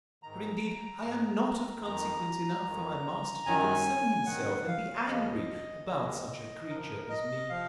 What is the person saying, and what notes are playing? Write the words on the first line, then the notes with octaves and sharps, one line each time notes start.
For indeed I am not of consequence enough for my master to concern himself, and be angry about such a creature as me.
G#2 D#3 A#5
G#2 D#3
F2 D#3 A#5
F2 D#3
F#2 D#3 G#5
F#2 D#3 F#5
F5
D#2 C#3 F3 D#5
D#2 C#3 F3
F#2 F3 A#4
D#5
F3 F5